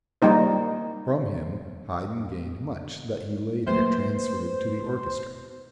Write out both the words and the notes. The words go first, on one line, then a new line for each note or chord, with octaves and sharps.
From him Haydn gained much that he later transferred to the orchestra.
G3 A#3 D#4 C5
F#3 A3 A#3 B4 C5 C6